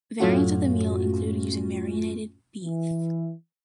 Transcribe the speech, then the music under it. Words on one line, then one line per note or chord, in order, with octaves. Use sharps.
Variants of the meal include using marinated beef.
F#2 A2 A3 C#4 F4 F#4
E3